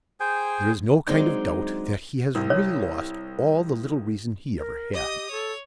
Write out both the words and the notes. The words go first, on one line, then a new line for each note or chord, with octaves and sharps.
There is no kind of doubt that he has really lost all the little reason he ever had.
G#4 C5 G5 G#5
D#3 F#3 G#3 C4 D4 D#4
C2
C#5
A#4
G4 D#5 D#6
A4 C#5